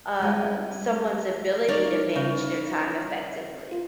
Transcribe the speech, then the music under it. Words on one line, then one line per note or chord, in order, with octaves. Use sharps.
um, someone's ability to manage their time effectively?
G3 G#3
G3 D#4 A#4 C#5 D5
C#3
F4